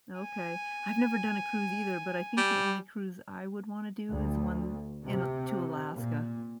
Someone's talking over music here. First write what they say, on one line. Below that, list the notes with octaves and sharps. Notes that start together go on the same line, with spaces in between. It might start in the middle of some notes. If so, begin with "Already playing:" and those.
Okay. I've never done a cruise either, but I think the only cruise I would wanna do is one in a to Alaska.
G#5
G3
D2
C3
A#2